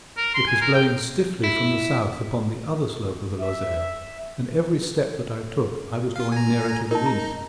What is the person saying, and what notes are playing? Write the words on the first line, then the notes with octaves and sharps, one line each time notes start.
It was blowing stiffly from the south upon the other slope of the Lozere, and every step that I took I was drawing nearer to the wind.
A#4
C6
G#5
A#4
G5
E4
E5
F4 F5
G#5 A#5
D#4 A#4 A5
A#5